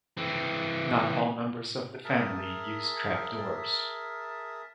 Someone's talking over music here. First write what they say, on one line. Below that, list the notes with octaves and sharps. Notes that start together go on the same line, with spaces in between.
Not all members of the family use trapdoors.
E3 C4
G#4 A#4 E5 A5